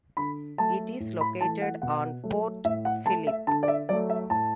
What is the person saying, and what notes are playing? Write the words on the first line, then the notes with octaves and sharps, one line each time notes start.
It is located on Port Phillip.
D3 B5
F#3 A3 A5
A2
B5
E3 A3 A5
F#5
B2 F#5
F#3 A3
A2 E5
F#5
A3 A5
E5
D3 A5
D5
E5
F#3 A3 D5
E5
A2 A5